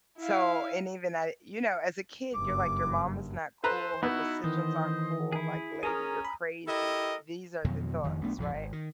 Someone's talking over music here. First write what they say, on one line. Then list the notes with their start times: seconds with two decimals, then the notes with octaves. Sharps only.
So, and even I you know, as a kid, you're like, "Your mom is not cool, her decisions aren't cool." Like, "Lady, you're crazy." These are the thoughts, right?
0.18 E4 F5
2.34 F#1 G2 D6
3.64 A4 B4 C5 A#5
4.03 B3 D#4 E4 F#4
4.44 D#3 E3 C5 D#5
5.32 E4 G#4
5.83 C#4 G#4 A#4 G#5 A#5 D#6
6.25 B5
6.68 E4 G4 A4 A#4 D#5
7.64 F2 B2 D#3 F#3
8.03 F#1 F2 D#3
8.21 B1 A3 B3 D4
8.38 A#1 F2 C3
8.54 G#1
8.72 D#3